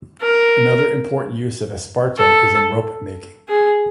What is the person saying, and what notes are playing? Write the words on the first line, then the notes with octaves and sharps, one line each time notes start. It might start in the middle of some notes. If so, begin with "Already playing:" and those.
Another important use of esparto is in rope-making.
A#4
A4
G#4